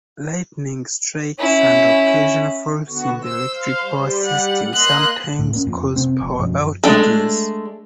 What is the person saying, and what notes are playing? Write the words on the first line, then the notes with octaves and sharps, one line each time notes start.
Lightning strikes and occasional faults in the electric power system sometimes cause power outages.
C#4 E4
D3 B3 F#4
C5 E6
F5
G3
F#5
A#3 D#5 C6 F#6
D2 A2
A#3 C#4
F2
C3 B3 C4
F1
F#2 B2 F3
G#3 A3 D4 A4